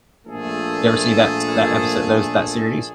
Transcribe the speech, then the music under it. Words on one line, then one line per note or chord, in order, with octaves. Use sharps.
You ever see that s that episode those that series?
A#1 A#2 A3 G#4 A4